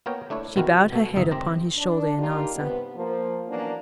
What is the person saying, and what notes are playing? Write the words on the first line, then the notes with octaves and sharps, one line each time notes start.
She bowed her head upon his shoulder in answer.
A#3 B3 A#4 C#5 G5
A3 D4 E4 C#5
B2 D#3 C4 E4 F#4 A#4
B2 A3 A4
G1 C#2 D#4 E5
D#3 C4 G4 A#5
D4
D#3 A#3 D4 D#4 F4 G4
G2 C3 B3
F3 A#3
E3 F#3 A#3 B3 C#4 D4